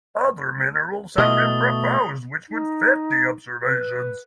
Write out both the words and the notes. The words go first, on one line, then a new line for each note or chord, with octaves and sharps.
Other minerals have been proposed which would fit the observations.
B2 A3 E4 F4 D#5 D#6 G7
D#4
B4